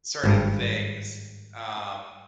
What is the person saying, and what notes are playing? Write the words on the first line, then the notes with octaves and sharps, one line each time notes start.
certain things, um
G#1 G2